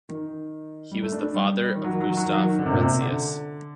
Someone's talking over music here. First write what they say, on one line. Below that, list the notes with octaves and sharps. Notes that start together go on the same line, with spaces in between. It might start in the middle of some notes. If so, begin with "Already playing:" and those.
He was the father of Gustaf Retzius.
D#3
G3
A3
D4
D4
G3
D#3
F#3
D#3
F#3
D#3
F#3
D#3
F#3
D#3
D3
C3
A#2
C3
D3